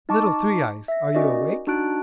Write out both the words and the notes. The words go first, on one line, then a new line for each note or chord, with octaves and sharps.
'Little Three eyes, are you awake?'
D#4 D#5 A5 C#6 D6
E5 A#6
C#4 D#4 F#4 A#4 D5 D#5
D4 D#4 F#4 A5 F#6 D7